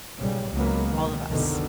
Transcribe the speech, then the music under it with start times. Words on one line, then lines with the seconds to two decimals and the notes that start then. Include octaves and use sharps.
all of us?
0.20 B1 G#2 C#3 G3
0.53 C#2 F#3 G#3 A#3 B3
0.92 B2 D#3
1.29 F1 B1 B2 D3 D#3